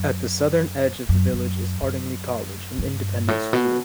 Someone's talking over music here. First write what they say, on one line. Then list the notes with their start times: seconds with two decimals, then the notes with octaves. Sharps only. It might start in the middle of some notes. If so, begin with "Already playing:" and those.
At the southern edge of the village is Ardingly College, an independent school.
Already playing: F#2
1.09 F#2
1.33 F#2
1.82 F#2
2.79 G2
3.28 A2
3.53 B2